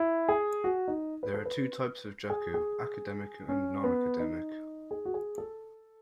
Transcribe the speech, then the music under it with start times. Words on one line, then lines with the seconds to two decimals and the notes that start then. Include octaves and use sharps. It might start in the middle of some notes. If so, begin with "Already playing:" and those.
There are two types of juku, academic and nonacademic.
Already playing: E4
0.29 G#4
0.64 F#4
0.88 D#4
1.23 B4
1.34 A4
1.45 B4
2.30 G#4
2.54 G#4
3.49 C#4
3.84 B3
4.20 D#4
4.91 G#4
5.05 F#4
5.14 G#4
5.38 A4